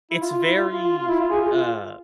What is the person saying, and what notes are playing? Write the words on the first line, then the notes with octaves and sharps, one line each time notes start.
It's very, uh,
E4
F4
F4
E4
F4
F4
F4
F4
E4
F4
G#4
F4
F4